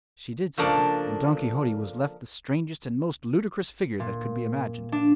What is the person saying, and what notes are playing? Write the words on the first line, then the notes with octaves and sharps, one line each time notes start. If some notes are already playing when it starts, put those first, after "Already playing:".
She did so, and Don Quixote was left the strangest and most ludicrous figure that could be imagined.
C#3 F3 A#3 D4 A4
A#2
D4